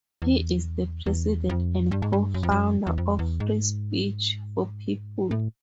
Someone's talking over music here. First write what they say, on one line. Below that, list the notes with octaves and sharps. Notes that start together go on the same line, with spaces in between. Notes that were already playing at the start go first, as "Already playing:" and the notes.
He is the President and Co-Founder of Free Speech for People.
E2
E2
F2
G2
G#2
G2
F#2
F2
F#2
E2
F2
E2
G#2
A2